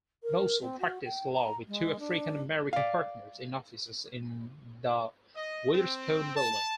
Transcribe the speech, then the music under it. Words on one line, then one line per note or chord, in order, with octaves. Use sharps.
Mossell practiced law with two African-American partners in offices in the Witherspoon Building.
A#4
C4
F#4
G5
A#5
G#3
D4
D5 F5
D#5
C4
A5